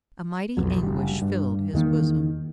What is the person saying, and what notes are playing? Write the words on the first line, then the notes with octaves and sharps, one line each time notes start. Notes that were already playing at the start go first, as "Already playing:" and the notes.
A mighty anguish filled his bosom.
B1 F2 G#2 F#3
F#1 D2 G3
G2
E2 D#3 A#3